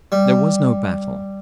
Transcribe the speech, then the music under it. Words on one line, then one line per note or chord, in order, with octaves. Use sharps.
There was no battle.
G3